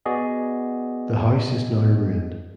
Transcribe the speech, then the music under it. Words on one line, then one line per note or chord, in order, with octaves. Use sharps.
The house is now ruined.
B3 F#4 G#4 D5 D#5